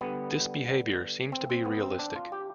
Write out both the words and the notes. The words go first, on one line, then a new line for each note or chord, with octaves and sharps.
This behavior seems to be realistic.
D3 G3 B3
C4
C4
B3
C4
D4
F4
G4